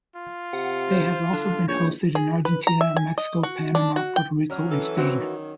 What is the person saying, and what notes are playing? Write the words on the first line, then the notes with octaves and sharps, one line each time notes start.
They have also been hosted in Argentina, Mexico, Panama, Puerto Rico, and Spain.
F4
C3 F#5
C5
D3 D4
A#1 C#5 G6
G#4
B4
A#5
E5
G#5
D#5
F#4
D4
F#4
G5
F#3 C#4 F6
E3 A4
C4 F#4
D#3